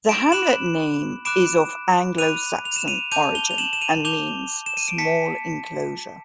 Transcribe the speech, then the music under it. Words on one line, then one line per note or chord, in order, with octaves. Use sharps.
The hamlet name is of Anglo Saxon origin, and means 'small enclosure'.
D7 E7
B5 D6 F#6 E7 F#7
B5 D6 F#6 D7 E7
B5 D6 F#6 D#7 F7
F7
E7
D#7 F7
A5 D6 G6 D#7 F7
F7 G7
F7
E7 F#7
E7
D#7 F7
A5 D6 G6 F7 G7
E7
D#7
D7
A5 B6 C#7